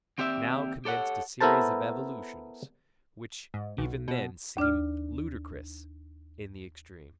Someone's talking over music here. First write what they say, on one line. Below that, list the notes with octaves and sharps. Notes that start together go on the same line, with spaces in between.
Now commenced a series of evolutions which even then seemed ludicrous in the extreme.
D#2 C4 G4 D5 E5
G4 A4 C#5 F#5
B3 E4 A4 A#4 C5 A5
G#2
B1
B2
D#2 D4 D5 F6